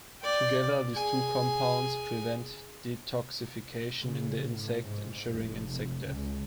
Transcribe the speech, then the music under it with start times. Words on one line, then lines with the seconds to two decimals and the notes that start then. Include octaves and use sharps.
Together, these two compounds prevent detoxification in the insect, ensuring insect death.
0.22 D5 G5
0.93 G#4 G#5
4.04 C#3
4.51 A2
4.84 G#2
5.32 F1
6.05 C#2